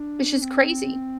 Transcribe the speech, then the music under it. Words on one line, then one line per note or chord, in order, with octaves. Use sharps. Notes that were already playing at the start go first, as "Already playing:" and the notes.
Which is crazy.
Already playing: D4
C4